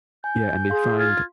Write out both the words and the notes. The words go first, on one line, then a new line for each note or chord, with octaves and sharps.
Yeah, and they find
G#5 G6
G#4 F5 C6
F4 G#6